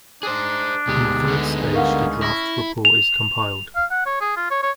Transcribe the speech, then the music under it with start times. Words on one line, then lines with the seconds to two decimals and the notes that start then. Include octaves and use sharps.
In the third stage the draft report is compiled.
0.23 D4 G#4 C5
0.87 D2 B2 G#3 D#4 G4
1.27 D3 B3
1.74 C#4 A#4 F5 F#5
2.22 E4 A#6
2.85 F7
3.76 F5
3.91 F#5
4.06 C#5
4.21 G#4
4.36 F4
4.51 C#5
4.63 C#5